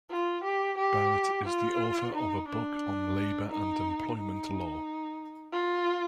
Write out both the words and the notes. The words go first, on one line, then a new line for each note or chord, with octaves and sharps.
Barrett is the author of a book on labor and employment law.
F4
G4
G4
F4
D#4
D4
D#4
D#4
F4